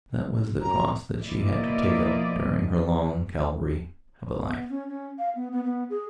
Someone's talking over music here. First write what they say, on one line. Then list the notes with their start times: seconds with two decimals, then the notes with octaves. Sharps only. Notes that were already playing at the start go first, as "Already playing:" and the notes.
That was the cross that she had to take up during her long Calvary of a life....
0.62 F#2 A#5
1.20 B2 F3 A#3 E4 D5 D#5
4.47 B3
4.69 C#4
4.88 C#4
5.18 F5
5.35 B3
5.52 B3
5.64 B3
5.90 G#4